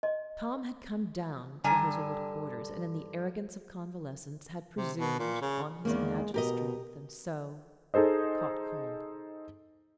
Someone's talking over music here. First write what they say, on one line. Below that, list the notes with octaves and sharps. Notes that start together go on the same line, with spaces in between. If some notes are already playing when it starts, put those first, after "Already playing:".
Tom had come down to his old quarters, and, in the arrogance of convalescence, had presumed on his imagined strength, and so caught cold.
D#5
G2 D3 G3 G#5 A#5
C3
B2
A#2
C#3
E2 D#3 G#3 A#3
B2 G4 A#4 D#5
D#4 G#4 A4 C5 D#5